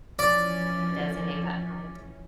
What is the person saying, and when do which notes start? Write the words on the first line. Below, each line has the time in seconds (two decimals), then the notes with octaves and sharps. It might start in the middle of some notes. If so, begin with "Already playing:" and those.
and designate that time.
0.19 E3 F3 C#4 D5